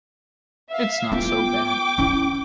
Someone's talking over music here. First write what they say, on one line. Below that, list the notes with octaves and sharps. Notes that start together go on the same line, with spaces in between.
It's not so bad.
E5 F5
B3 F4 G5 D6
C#4 E4